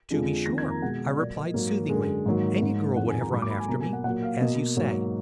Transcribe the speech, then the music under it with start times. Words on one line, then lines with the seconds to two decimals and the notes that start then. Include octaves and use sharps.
'To be sure,' I replied soothingly, 'any girl would have run after me, as you say.'
0.10 F2 D3 F3 G#3
0.46 F2 D#3 A#3 A#6
0.58 G#6
0.70 A#5
0.82 B2 G#3 F#5
1.06 D5
1.17 A#2 F#3 A#3 D5
1.36 D#5
1.54 G#2 F#3 A#3
1.89 F#2 D3 G#3
2.26 G#2 D#3 F#3 A#3
2.61 G#2 F#3 A#3
2.96 F2 D#3 G#3 F#5
3.09 G#5
3.21 A#5
3.32 G#2 F#3 A#3 B5
3.42 D6
3.50 B5
3.60 G#5
3.68 B2 F#3 A#3 A#5
3.81 G#5
3.93 F#5
4.04 A#2 F#3 A#3 F#5
4.23 F5
4.40 B2 A#3 D#5
4.76 G#2 F#3 A#3